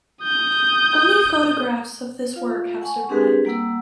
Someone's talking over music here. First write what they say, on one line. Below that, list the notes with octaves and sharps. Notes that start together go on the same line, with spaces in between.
Only photographs of this work have survived.
D#6 G6
F4 F5
F#5 G#5 A5 C#6
C4 D4 G4 G#4 A#4 B4
G3 A#3 F#5 E6